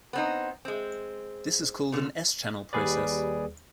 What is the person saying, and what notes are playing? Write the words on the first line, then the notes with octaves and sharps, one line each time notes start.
This is called an s-channel process.
B3 C4 D#4
G#3 C4
A#2 D3
D#2 G3 G#4 B4 D5